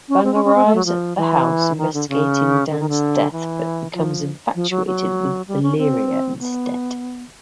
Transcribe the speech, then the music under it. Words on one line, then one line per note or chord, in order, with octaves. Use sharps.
Bung arrives at the house, investigating Dann's death but becomes infatuated with Valeria instead.
C#4
C4
C#4
C#4
C4
A3
F#3
F3
E3
D#3
D3
C#3
D3
D#3
D3
E3
F3
F3
F#3
F#3
G3
C#4
C4
B3